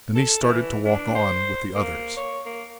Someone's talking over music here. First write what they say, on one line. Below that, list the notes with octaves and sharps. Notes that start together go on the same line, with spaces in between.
Then he started to walk on with the others.
A4
E3
D4
C5
A#3
C#5
A#3